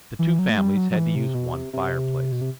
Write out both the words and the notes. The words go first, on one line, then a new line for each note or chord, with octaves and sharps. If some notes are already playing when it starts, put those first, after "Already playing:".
The two families had to use one fireplace.
E3
F#3
A3
G3
F#3
F#3
E3
C3
B2
C3
C3
B2
C3